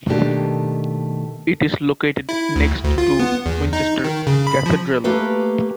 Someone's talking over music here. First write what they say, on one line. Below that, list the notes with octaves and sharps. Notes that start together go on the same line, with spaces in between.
It is located next to Winchester Cathedral.
B2 D#3 A3 A#3 D4 G4
E4
D2
D2
F4
B3
E2
D#4
D#3
C#3
B5
F3
A3 A#3 G4 B4